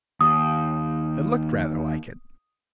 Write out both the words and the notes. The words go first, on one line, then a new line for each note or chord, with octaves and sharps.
It looked rather like it.
D#2 D#6